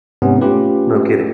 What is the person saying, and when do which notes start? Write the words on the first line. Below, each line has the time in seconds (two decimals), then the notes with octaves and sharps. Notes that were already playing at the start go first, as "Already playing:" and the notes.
No kidding.
0.22 G#2 C3 B3 C#4
0.41 A3 C#4 F4 G4 B4